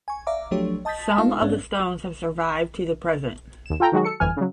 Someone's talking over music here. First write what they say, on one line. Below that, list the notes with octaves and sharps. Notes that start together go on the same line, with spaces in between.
Some of the stones have survived to the present.
G#5 C#6
D5 E5 F5 A#5 D6
F3 F#3 A3 D4 G4 C#5
D#5 A5 D#6 G6 A6 B6
G#3 D4 D#4 F4 A4 F5
G#2 B3 C#4 D4
D#2 E7
F4 A4 G5 A#5
D#3 F#3 G#3 F#4
A4 C#7
G1 F2 E3 G#5 F6
C#3 F#3